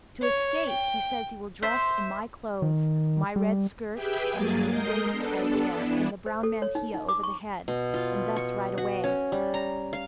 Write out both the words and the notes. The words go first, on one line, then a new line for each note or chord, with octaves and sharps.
To escape he says he will dress in my clothes, my red skirt and the blue waist I wear and the brown mantilla over the head, and thus ride away.
C#5
G5
C5 E5
D#3
G3
G4 G#4 B4 E5 G5
G2 F#3 A#3 G#4 G#5 A6
G#3 A#4 D#5 D#6 G6 C7
B3 D4 A4
E3 B3 D4 E4
C5
A4
C#5
D#4
D#4
D6
C#6
B2
F4
C#6
F#4
C#4
G3
A#5
F5